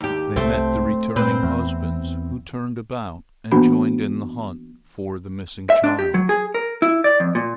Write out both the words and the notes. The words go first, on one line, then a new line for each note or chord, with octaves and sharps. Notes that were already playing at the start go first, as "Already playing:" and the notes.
They met the returning husbands, who turned about and joined in the hunt for the missing child.
D#2 G4
C2 A3 C4
A#2 C4 B4
E2
E3 A#3 B3 D4 F#4 B5
E5
D4
G4
F#3
G#4
A#4
E4
D5
F2
A#2